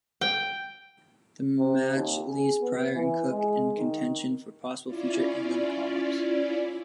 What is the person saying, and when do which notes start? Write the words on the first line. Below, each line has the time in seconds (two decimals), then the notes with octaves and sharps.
The match leaves Prior and Cook in contention for possible future England call-ups.
0.21 G5
1.59 C3
1.95 D#2
2.27 G#4
2.61 B3
2.94 E3
3.30 G#3
3.77 D#3
4.86 C#4 E4 F4 D5